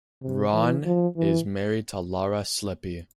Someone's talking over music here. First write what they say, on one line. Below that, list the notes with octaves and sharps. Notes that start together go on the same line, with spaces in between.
Raun is married to Laura Slippy.
C3
E3
F3
E3